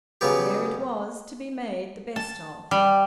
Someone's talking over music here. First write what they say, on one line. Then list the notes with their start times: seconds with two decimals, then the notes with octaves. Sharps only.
There it was, to be made the best of!
0.21 C#3 F#3 B3 G4
2.16 A5
2.71 G3